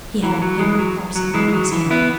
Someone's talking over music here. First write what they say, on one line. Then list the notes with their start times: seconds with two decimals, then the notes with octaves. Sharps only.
He had a paper parcel in his hand.
0.23 E3
0.42 F#3
0.59 E3 G#3
0.79 F#3
1.16 F#3
1.34 E3 G#3
1.48 E3
1.53 F#3
1.72 E3
1.91 B3 E4